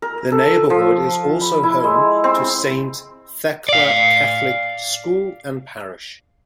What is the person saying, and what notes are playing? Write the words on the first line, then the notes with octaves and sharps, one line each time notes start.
The neighborhood is also home to Saint Thecla Catholic School and Parish.
A#4
A4
F3
B5
E4
G#3
C4
D5 F5